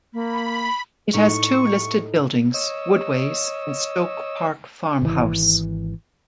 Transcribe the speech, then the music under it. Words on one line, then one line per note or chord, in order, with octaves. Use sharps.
It has two listed buildings: Woodways and Stoke Park Farm House.
A#3 B5
A2 D#4 C#6
C#5 D#5 E6
G#1 E3